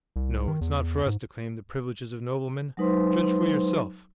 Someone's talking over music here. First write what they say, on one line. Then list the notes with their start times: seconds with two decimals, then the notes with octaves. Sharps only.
No, it's not for us to claim the privileges of noblemen. Judge for yourself.
0.16 C2
0.48 D#3
0.61 E2
1.06 G#2
2.77 F#3 G#3 D#4 B4 C5 C6